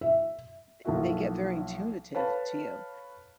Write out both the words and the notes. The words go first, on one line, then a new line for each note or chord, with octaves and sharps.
th they get very intuitive to you,
E5
B1 F3 A#3 E4 F#4 E5
A4 B4 C#5 F5 A5 B5